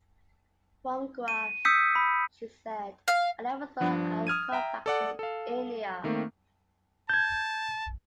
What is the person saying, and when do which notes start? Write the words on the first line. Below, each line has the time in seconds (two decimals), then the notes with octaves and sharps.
From Goa, she said: I never thought I would come back to India.
1.28 D#7
1.65 D#6 E6 G6 B6 C#7
1.95 B5
3.08 F5
3.80 G2 F3 D4
4.27 D#6 F6 G#6 D#7
4.52 E5 G5 A#5
4.86 A4 D5 F#5
5.19 A4 F5
6.04 D#3 A3 A#3 C4
7.10 A5 G6 G#6